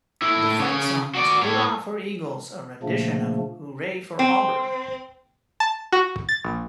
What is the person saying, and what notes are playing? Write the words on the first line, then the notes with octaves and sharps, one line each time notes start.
The fight song is Hoorah for Eagles a rendition of Hooray for Auburn!!
A2 E4
C#3 C#5
F#4 D5
A2 C#5
A#2 C#3 F3 A3 A#3 D4
C4
A5
F#4
A6
A#1